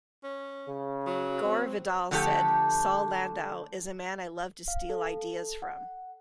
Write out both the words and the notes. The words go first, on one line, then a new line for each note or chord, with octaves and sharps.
Gore Vidal said, Saul Landau is a man I love to steal ideas from.
C#4
C#3
F#3
C4
D3 F3 A3 G4 A4
F5
A4
F#5